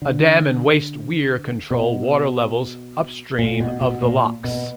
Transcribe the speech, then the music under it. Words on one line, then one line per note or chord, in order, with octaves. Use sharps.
A dam and waste weir control water levels upstream of the locks.
D3
B2
A#2
B2
B2
A#2
B2